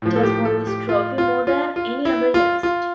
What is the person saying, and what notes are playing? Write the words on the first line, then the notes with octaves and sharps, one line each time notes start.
It has won this trophy more than any other university.
A2 F3
A4
G4
A4
G4
F4
F4
F4
F4
E4
F4
F4